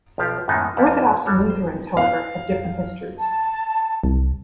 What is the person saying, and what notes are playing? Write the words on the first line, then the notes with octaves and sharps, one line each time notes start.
Orthodox and Lutherans, however, have different histories.
B1 F3 G4 F5
F#2 A2 D#3 G#3 B3 D#4
F2 A#3 G4 F#5 A5
G3 D4 F#4 A4 C#5
C5
F5
A5
C2